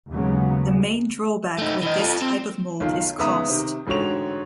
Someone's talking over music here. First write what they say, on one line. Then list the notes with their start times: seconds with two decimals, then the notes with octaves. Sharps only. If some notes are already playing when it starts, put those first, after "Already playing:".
The main drawback with this type of mold is cost.
0.12 D#2 C#3 F#3 G#3 B3
1.58 A3 D#4
1.82 E3 D#5
1.99 F4 A4
2.22 C4
2.80 B1 D#3 F4 F5
3.18 C#2 D#3 B3 E5 A#5 D#6
3.49 C3 D#3
3.87 A1 G#2 D3 F#4 C#5 F7